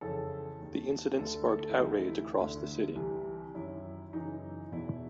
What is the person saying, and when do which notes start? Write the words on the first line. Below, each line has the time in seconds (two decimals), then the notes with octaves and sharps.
The incident sparked outrage across the city.
0.01 F2 C#3 E3 A4
0.60 D#2 D#3
1.19 D2 D3 A4
1.49 A4
1.69 E4
1.78 D2 C3 E3 D#4
2.07 E4
2.37 D2 D3
2.95 C2 C3 E3
3.55 F#2 D#3 E4
4.13 F#2 C#3 E3 D#4
4.72 E2 B2 E4